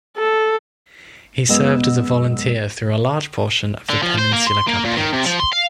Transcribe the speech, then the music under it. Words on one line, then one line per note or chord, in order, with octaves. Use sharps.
He served as a volunteer through a large portion of the Peninsular campaigns.
A4
F#2 G#3 B3 D#5 E6
D3
F3
C5
A#3
C6
A#3
A#2
D#3
C3
F3
C6
F5